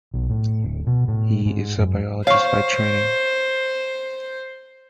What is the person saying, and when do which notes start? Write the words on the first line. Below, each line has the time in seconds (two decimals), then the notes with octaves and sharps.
He is a biologist by training.
0.14 B1
0.30 A2
0.64 D1
0.87 B2
1.08 A2
1.46 G#2
1.78 F#2
2.27 C5 C#5 F5 C#6